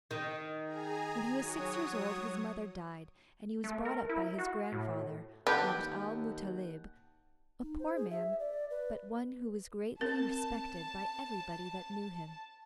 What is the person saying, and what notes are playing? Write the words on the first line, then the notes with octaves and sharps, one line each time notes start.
When he was six years old his mother died and he was brought up by his grandfather, Abd al-Muttalib, a poor man, but one who was greatly respected by everybody that knew him.
D#3
G#4 G#5 A#5
F#3 C#5 D#6
A3
A#4
E4
F#4
A2
D#2 G4 B4 F#5 A5 G6
D#4
C5
G#4
E5
D5
B4
C4 A#4 A5